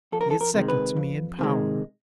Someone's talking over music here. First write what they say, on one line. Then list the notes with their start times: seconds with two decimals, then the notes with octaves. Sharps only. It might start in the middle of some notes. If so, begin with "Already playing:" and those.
He is second to me in power.
0.12 F2 A4
0.21 A#4
0.31 A4
0.41 A#4
0.54 C3 D#3 G#3
0.68 B4
0.96 F2
1.39 C3 D#3 G#3